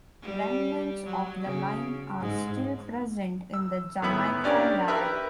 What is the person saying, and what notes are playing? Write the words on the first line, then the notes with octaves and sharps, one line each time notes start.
Remnants of the line are still present in the Jamaica Yard.
G3
F#3
C#3
G#2
E6
A2 D#3 B3 E4 E5 B5
C#4 D4 G4 A#4
G4 A#4 B4 E5